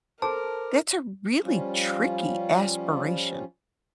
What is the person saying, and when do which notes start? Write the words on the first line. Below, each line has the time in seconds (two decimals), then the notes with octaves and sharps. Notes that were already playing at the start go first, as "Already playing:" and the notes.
That's a really tricky aspiration.
0.22 A4 A#4 C5 A5 D6
1.42 F3 G3 C#4 F4